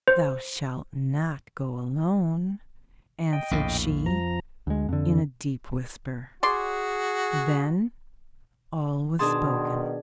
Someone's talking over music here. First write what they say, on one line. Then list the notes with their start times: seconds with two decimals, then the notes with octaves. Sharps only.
"Thou shall not go alone!" answered she, in a deep whisper. Then, all was spoken!
0.08 C5
3.33 D#5 G5
3.51 A#1 E2 A2
4.06 F2 F3 A#5
4.67 D2 G#3
4.89 F2 D3
6.43 F#4 G#4 D5 C6
9.19 B2 D#3 D4 G#4 A5 C6 D#6